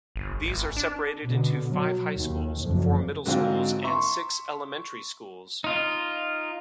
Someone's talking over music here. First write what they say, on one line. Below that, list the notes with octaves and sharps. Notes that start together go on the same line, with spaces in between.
These are separated into five high schools, four middle schools, and six elementary schools.
G1
G#1
D4
B2 D3
F#3
D#2
F#1 F2
G#2 D3 F#3 G#3 C4 F4
E5 A#5 C6 C#6
D#4 F4